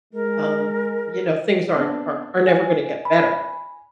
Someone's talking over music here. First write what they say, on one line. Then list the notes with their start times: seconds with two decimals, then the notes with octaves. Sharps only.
um, you know, things aren't are are never gonna get better.
0.14 G#3 A#4
1.74 B3 C4 D4
2.47 G#5
3.05 B5